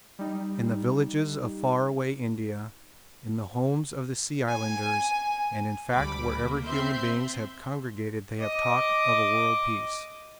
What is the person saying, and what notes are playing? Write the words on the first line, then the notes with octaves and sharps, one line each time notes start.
In the villages of far away India, in the homes of the Sea Islanders and in fact wherever human beings have congregated they have talked of a world peace.
G3 D#4
G#5
D2 G3 B5 D6
A#3
C4 E5 C6 G6
D#5 D6